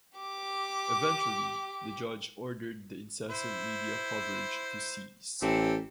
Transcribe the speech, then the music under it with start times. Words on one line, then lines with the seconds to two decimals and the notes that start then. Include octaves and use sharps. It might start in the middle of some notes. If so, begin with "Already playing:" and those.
Eventually, the judge ordered the incessant media coverage to cease.
0.18 G4 D6
3.30 E4 C5
5.42 A1 C4 G4 A4